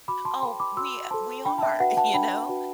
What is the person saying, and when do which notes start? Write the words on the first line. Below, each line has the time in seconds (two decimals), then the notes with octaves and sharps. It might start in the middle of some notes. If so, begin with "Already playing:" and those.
Oh, we a we are, you know?
0.08 F#4 B5 D6
0.25 A5 C6
0.42 A4 C5 G5 B5
0.60 B5 D6
0.77 F#4 C6 E6
1.11 A4 C5 A5 C6
1.45 D4 G5 B5
1.58 A5
1.62 E5 G5
1.80 F#4 B4 F#5
1.97 F#5 A5
2.14 D4 G5 B5
2.49 F#4 B4